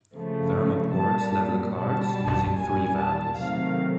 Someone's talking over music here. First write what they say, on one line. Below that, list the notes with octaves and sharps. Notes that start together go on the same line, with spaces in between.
Vermaports level carts using three valleys.
C#3 F3 A3
A#2 G3 A5
B2 G3 A5
A#2 G3 G#5
A5
C3 D#3 F#3 A3 F5